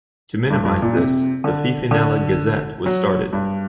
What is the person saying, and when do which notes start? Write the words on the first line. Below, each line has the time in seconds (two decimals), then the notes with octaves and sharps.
To minimize this, the "Fifinella Gazette" was started.
0.50 G2
0.65 G2
0.82 A#2
0.97 C3
1.44 D3
1.91 D3
2.86 F#3
3.33 G2